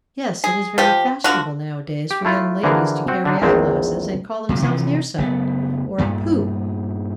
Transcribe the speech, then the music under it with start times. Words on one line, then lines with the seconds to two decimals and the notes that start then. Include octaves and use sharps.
Yes, it is very fashionable now-a-days for young ladies to carry eye-glasses, and call themselves near-sighted!" Or, "Pooh!
0.44 G#4
0.78 F3 G4
1.24 D3 F4 F#4
2.11 G4
2.25 A3 E4 F4
2.64 D3 E3 F3 F#4 G#4 A#4
3.08 C4 F#4
3.25 D3 D4 D#4
3.42 A#1 E2 D#3 G#3 C4
4.49 A#2 C#3 F#3
4.62 C3 E3 F3
5.18 F#1 A3 B3
5.98 G2 A#2 A3